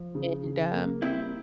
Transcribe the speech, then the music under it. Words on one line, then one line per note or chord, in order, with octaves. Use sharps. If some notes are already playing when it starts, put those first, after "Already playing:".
and, um
Already playing: F3
C#3
C#3
A#3
G3 C4 E4